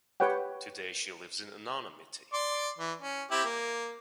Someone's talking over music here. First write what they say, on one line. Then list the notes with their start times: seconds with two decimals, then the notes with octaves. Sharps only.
Today she lives in anonymity.
0.20 G4 B4 C#5 F#5 G5
2.33 D5 C6 D6
2.78 E3
3.02 C#4
3.31 C4 E4 G4
3.44 A#3